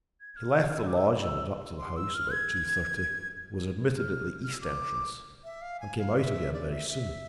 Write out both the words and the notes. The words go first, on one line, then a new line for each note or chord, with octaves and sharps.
He left the lodge and went up to the house about two-thirty, was admitted at the east entrance and came out again very soon.
G#6
G#6
F6
F6
E6
D6
E6
E6
C6
E6
F6
G#6
F6
F6
E6
D6
E5
F5
G#5
F5
E5
D5
E5
E5